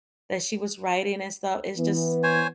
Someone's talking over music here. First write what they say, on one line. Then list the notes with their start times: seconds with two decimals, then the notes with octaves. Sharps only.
that she was writing and stuff. It's just
1.77 E3 B3
2.23 C5 C#5 G#5